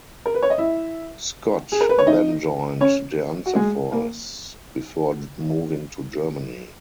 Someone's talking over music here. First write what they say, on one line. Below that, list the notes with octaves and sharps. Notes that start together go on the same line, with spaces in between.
Scott then joined De Anza Force before moving to Germany.
A#4
B4
C#5
D#5
E4 E5
G#4
A#4
B4
C#5
D#4 D#5
C#4 C#5
F#4
G#3 G#4
A#3